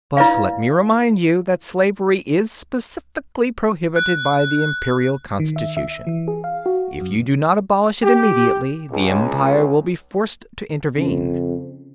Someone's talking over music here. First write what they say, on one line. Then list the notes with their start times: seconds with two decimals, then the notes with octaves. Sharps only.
But let me remind you that slavery is specifically prohibited by the Imperial Constitution; if you do not abolish it immediately, the Empire will be forced to intervene.
0.17 E4 B4 D5 F5
3.96 F#6
5.40 D#3
5.56 E5
5.77 E5
6.07 E3
6.28 G#4
6.44 F5
6.66 F#4
7.01 F#2
8.03 G4
8.89 C#2
10.98 F2 C#3